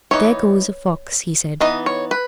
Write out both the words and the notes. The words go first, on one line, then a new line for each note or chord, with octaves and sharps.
"There goes a fox," he said.
E3 B3 D#4 C#5
E3 B3 D#4 D#5
C#5
B4